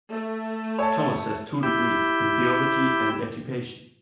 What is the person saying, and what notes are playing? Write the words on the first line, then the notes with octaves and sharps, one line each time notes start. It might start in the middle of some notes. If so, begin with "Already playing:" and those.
Thomas has two degrees, in theology and education.
A3
C#5 A5
E4 G4